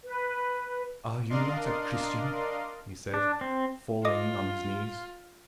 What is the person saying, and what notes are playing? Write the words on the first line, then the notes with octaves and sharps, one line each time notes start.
"Are you not a Christian?" he said, falling on his knees.
B4
D4 A#4 D5 D#5 F5 C6
D4
C4
F4 D#5 D6 D#6